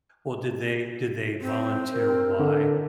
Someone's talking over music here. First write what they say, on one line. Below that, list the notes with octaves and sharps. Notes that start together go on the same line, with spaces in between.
Well, did they did they volunteer why
C4
A#4
D3